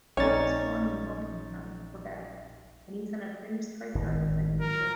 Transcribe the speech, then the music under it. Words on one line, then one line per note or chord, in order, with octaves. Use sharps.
He was born in Buckingham, Quebec and is an administrator, and a teacher.
A#1 A3 C#4 D#4 D5 A#5 C#6 A6
G#1 A2 D#3
A#4